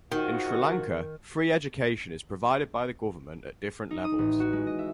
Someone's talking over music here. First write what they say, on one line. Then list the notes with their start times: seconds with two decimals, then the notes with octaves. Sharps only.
In Sri Lanka, free education is provided by the government at different levels.
0.12 G#2 D#3 F4 F#4
3.91 D#4
4.04 D#6
4.19 A1
4.40 F#4
4.53 G#3
4.67 D#5
4.79 E5